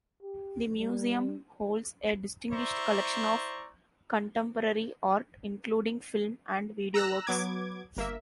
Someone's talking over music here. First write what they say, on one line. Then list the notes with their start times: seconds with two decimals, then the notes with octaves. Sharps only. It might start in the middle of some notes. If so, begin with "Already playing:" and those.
The museum holds a distinguished collection of contemporary art, including film and video works.
0.22 G4
0.79 G3
2.52 E4 C5 D5 E5 A#5 C#6
6.94 A#5 E6 F#6 A#6
7.27 F#3 B3 D6 G#6
7.97 G1 A#3 A#4 E5